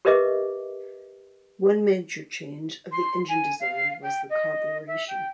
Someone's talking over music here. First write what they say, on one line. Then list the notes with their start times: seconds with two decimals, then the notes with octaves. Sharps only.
One major change of the engine design was the carburetion.
0.05 G4 A#4 B4 D#5 E5 D6
2.92 C6
3.29 G#5
3.60 F5
4.02 G5
4.30 D#5
4.87 E5
5.08 G5